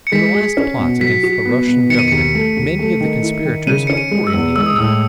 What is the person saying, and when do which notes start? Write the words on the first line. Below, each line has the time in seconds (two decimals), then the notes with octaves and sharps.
In the last plots against the Russian Government many of the conspirators were in the army.
0.07 C#7
0.12 G#3 B6
0.35 G#4
0.57 C#4
0.79 B2
1.01 F#3 B6
1.23 F#4
1.45 B3
1.67 B2
1.89 D#3 C#7
1.99 D#7
2.08 D#2 C#7
2.35 A3
2.56 D#2
2.79 A3
3.01 D#3
3.22 E4
3.45 D#3
3.67 C#3 D#7
3.87 C#4 C#7
3.97 D#7
4.11 G#3
4.27 E6
4.34 E2
4.56 G#3 E6
4.66 D#6
4.76 A2 E6